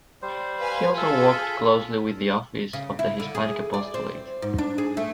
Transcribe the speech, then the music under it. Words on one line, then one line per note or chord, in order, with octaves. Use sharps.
He also worked closely with the Office of the Hispanic Apostolate.
G3 C5
B4 F5 G#5
F4 G#4 A4 E5
C#3
E4
D3
G#4
D5
C4
G#2
D4
G#4
A3